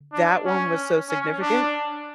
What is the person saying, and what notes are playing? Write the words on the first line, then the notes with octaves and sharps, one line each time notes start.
that one was so significant,
D4
C#4
C#4
D4